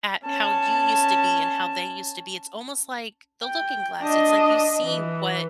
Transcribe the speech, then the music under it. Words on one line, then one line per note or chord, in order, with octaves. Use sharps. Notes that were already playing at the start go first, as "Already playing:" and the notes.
at how you used to be and how they used to be. It's almost like the looking glass, it's like you see what
C#4 A5
G5
D4 D#5
E3